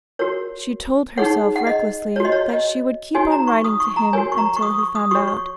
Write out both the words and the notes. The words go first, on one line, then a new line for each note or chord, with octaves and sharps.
She told herself recklessly that she would keep on writing to him until he found out.
F#4 A#4 C#5
D#4 G#4 C#5 F#5
F#5
D#5
C#5
F#4 D#5
C#5
D#5
D#4 F#4 C#5 G#5
A#5
C#6
D#6
C#6
A#5
F#4 A#4 C#5 G#5
C#6
A#5
C#6
D#6
C#6
D#6
F#4 C#5 C#6
C#6